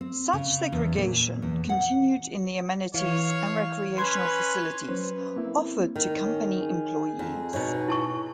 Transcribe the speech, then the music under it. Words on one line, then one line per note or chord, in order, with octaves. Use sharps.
Such segregation continued in the amenities and recreational facilities offered to company employees.
C4
C#3
E2
A#2
E2
F#5
E3 C#5 F5
C#4 B4 C6 G#6
F#3 C#4 B4 C5
A#3 C4 E4
D#3
C#4
G#4
F2
B2 D#4 C#5
E4 A5 C#6